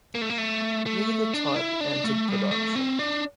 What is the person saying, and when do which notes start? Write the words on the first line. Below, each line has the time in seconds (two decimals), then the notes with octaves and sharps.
Neither type entered production.
0.15 A#3
0.22 A3
0.30 A#3
0.38 A3
0.86 A3
1.33 D4
1.56 E4
1.81 D4
2.04 A3
2.28 G3
2.51 A3
2.75 C4
2.99 D4